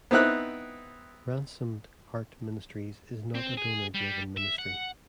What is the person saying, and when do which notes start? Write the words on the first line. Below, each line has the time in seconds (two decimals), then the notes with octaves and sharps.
Ransomed Heart Ministries is not a donor-driven ministry.
0.11 B3 C4 D#4 E4 F#6
3.35 C4
3.57 G#4
3.94 G3
4.37 E5
4.58 F#5